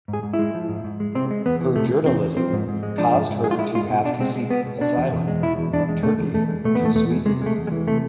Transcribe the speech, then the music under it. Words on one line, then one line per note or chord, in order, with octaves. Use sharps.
Her journalism caused her to have to seek asylum from Turkey to Sweden.
G#2
G#4
G#2
E4
G#3
F3
G#2
G#2
G#3
C3 C4
G#3
E2 B3
E3
C3 A3
G#3
E2 C4
E3
F3 C4
G#2
G#2
G#3
F3 D4
G#2
G#2
G#3 G#4
F4
G#3 E4
G#3 F4
B2
B2 D4
G#3 C4
G#3
B2 B3
B2
B2 D4
E2
E2
G#3
B2 E4
E2
E2 D4
G#3
B2 A3
E2
E2 A3
G#3
B2 A3
B3
E2 A3
E2 A3
G#3
C3 G#3
G#3 A3
E2
G#3
E3
C3 A3